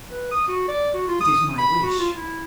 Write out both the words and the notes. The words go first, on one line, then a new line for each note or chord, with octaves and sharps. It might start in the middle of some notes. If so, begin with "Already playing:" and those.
It is my wish.'
B4
D#6
F#4
D5
F#4
F4
D#6
B5
F#4
F4
E4